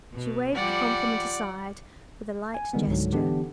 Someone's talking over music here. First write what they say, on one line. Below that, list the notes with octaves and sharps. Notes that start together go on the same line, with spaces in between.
She waived the compliment aside with a light gesture.
B2
F3 G3 D5 F#5
G#5
D3 D#3 G3 G#3 B3
C#2 G#2 D3 F#3
D3 E3 B3 D4 G4